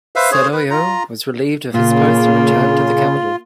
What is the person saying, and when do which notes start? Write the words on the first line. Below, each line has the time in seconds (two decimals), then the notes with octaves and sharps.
Sadayo was relieved of his post and returned to the capital.
0.16 B4 C5 E5 F5
0.32 G#4 C5 C#5
0.53 B4
0.70 F4 A#5
1.74 A#2 C#3 A#3 F4